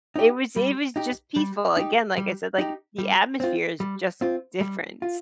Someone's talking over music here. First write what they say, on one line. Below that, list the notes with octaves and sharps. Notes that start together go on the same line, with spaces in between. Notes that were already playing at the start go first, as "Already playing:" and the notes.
it was it was just peaceful again, like I said, like, the atmosphere is just different,
D#4 G4
G3
D#4 G4
G3
D#4 G4
G3
D#4 G4
G3
C4 F4
G3
C4 F4
G3
F4